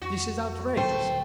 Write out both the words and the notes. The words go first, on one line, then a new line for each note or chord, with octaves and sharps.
This is outrageous!
F2 F#4
D2 A#2 F#3 A3 C5 G5